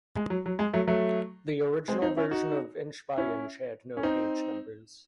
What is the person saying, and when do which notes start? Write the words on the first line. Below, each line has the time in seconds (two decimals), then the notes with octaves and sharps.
The original version of "Inch by Inch" had no page numbers.
0.16 G#3
0.30 F#3
0.46 F#3
0.59 G#3
0.73 F#3 A3
0.87 F#3 A3
1.88 G#3 C4
2.02 C4 D#4
2.17 C#4 E4
2.31 D#4 F#4
3.18 C#4 E4
3.97 C#4
4.03 C4 D#4